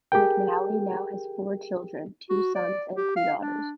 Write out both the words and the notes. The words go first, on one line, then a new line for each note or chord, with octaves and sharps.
McNally now has four children, two sons and two daughters.
G4 G#4 A#4 G5
F#4
D5
G4
F5
D4